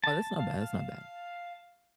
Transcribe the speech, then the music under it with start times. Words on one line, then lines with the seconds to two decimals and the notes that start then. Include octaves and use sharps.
Oh, that's not bad, that's not bad.
0.04 A5
0.39 F5